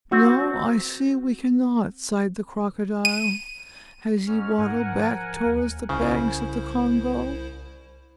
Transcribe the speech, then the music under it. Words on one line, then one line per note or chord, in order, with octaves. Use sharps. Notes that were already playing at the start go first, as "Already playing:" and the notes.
"No, I see we cannot," sighed the Crocodile, as he waddled back towards the banks of the Congo.
C4 F#4
D#7
G#2 C#4 F6
G#2 A#4 F#5 G#5
F3
D#2
C2 C#3 E4 C5